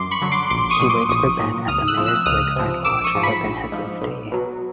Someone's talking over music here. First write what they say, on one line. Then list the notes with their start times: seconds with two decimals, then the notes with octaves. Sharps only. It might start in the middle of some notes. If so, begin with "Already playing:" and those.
He waits for Ben at the mayor's lakeside lodge, where Ben has been staying.
Already playing: F#2 C6 D6
0.11 B5 C#6
0.21 D3 F#3
0.32 C6 D6
0.50 A#1 C6 D6
0.70 C#6 D#6
0.80 A#2 F#3
0.89 C6 D6
1.09 A#1 C#6 D#6
1.39 A#2 F#3
1.67 C#2 D#6 F6
1.87 E6 F#6
1.97 C3 F3
2.06 E6 F#6
2.26 C#2 D#6 F6
2.56 C3 F3
2.84 A#1 D6 E6
3.04 C#6 D#6
3.15 G#2 F3
3.23 B5 C#6
3.44 A#1
3.72 G#2 F3
4.02 B1
4.32 B2 F#3